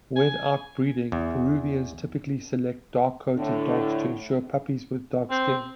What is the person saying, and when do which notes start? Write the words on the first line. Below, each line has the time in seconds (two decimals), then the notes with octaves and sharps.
When out-breeding Peruvians typically select dark-coated dogs to ensure puppies with dark skin.
0.16 G#5
1.12 E2
3.37 A2 D3
5.30 C4